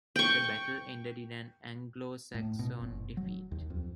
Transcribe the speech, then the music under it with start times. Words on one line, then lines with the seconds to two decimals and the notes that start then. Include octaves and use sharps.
The battle ended in an Anglo-Saxon defeat.
0.16 G5 C#6
2.35 A2
2.59 B2
2.81 F#1
3.17 F#3
3.52 D#2
3.70 F2